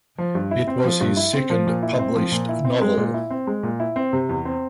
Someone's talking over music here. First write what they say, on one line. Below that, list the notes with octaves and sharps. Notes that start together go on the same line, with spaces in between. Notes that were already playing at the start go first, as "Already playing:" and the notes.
It was his second published novel.
F3
G2
E4
C4
F3
G2
E4
C4
F3
A#2
E4
C4
F3
A#2
E4
C4
G#3
A#2
E4
C4
G#3
A#2
E4
C4
C3
E2
C4